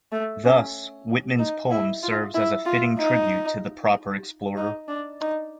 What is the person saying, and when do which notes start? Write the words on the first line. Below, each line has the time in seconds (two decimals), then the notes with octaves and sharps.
Thus, Whitman's poem serves as a fitting tribute to the proper explorer.
0.12 A3
0.45 C#4
1.39 D#4
1.71 E4
2.03 F4
2.34 E4
2.66 F4
2.99 D#4
4.57 D#4
4.88 D4
5.21 D#4